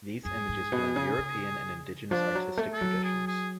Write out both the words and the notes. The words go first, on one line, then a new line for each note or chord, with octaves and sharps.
These images blend European and indigenous artistic traditions.
F#2 G#4
G#2
B2
C#3
C#3
F3 D4
F#3
A3
A4
F#3
G#4
G#4